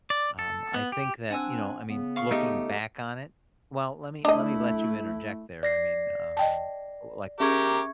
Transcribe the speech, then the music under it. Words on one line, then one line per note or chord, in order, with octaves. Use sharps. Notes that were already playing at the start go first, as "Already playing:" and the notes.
um, I think that, you know, I mean, looking back on it well, let me let me let you interject there. I mean, um, like,
D5
A4
B3
G4
C4 D4 F#5 G#5 E6
C#3 B3
F5 C#6
A3 D#4 G4
A3 D4 E4 D#5
D5 A#6 C7
D#5 G5 A5
C#4 G4 G#4 A#4 E5 G5 C#6 G#6